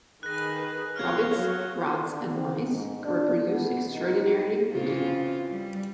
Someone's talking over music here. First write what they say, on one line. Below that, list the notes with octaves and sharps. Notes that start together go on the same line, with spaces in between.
Rabbits, rats and mice can reproduce extraordinarily quickly.
D#3 G#4 B4 F#6 A#6
C#5 F5 F6 F#6 G#6
F#3
D3
C4
G#2
D4
B3
D#4
C#3 E3 C4 F4
G3